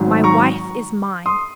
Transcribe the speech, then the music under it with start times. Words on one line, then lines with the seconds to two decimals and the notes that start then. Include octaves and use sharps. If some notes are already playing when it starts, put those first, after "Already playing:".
My wife is mine.
Already playing: G#1 G#2 F#3
0.24 A#5 C#6
1.26 C6 D#6